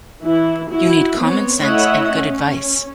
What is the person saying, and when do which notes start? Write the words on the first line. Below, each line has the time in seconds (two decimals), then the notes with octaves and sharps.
You need common sense and good advice.
0.22 E3 E4
0.70 E4 F#4
1.19 B3 C4 C#5
1.62 A3 E4 C#5 D#5 E5 F#5
2.15 C#4